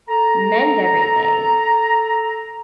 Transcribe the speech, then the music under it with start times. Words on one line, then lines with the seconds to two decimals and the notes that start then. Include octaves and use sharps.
mend everything,
0.08 A4 A#5